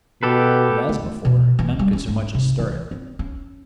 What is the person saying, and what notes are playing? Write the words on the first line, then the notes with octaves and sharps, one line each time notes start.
But as before, none could so much as stir it.
B2 G4 A4 B4
A3
B2
E3
G3
C#4
G#2
C3
E3
C4
C#4